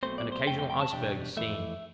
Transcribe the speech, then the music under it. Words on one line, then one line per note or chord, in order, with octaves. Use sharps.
An occasional iceberg is seen.
B1 B2 A3 C4 C5
D5
C5
F2 C3 A3 C4 G5
G5
G5
A5
E2 B2 G3 D4 G5
F2 E3 A3 E5